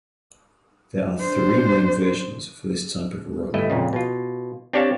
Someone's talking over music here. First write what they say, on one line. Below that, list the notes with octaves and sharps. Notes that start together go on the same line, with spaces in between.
There are three main versions for this type of rug.
D4 C5
G1 A3 E4 D#5
F2 A#2 C#3
B2 F4
C4 D4 G4 C#5 F5 A5